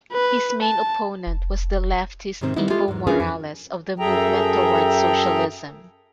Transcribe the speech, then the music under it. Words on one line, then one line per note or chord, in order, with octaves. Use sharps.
His main opponent was the leftist Evo Morales of the Movement Towards Socialism.
B4
A5
F1
G#2 C3 D#3 C4
D#3 G3 B3 C4 D#4 E4
G#3 F4 G4 A4
E2 G#2
C#4 D4 F4 G#4 A#4 B4
F2
F#2 G#4 A4 E5 G5 A#5